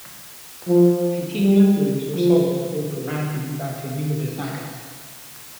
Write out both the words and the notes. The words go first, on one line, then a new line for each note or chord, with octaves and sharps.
Nineteen Mercuries were sold before Ferranti moved on to newer designs.
F3
G3
F3